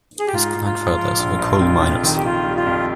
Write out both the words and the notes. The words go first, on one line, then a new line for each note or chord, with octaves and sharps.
His grandfathers were coal miners.
G#4
G4
G#2 F4
G#2
F4
G#2
F3
A#1
A#1
F2
F2
D#3
G4
D#3 F4
G3
F4
F2